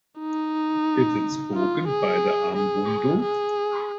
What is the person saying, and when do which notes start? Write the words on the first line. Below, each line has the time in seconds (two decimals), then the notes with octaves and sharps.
It is spoken by the Ambundu.
0.19 D#4
1.54 F4
1.87 G#4
2.56 G#4
3.22 G#4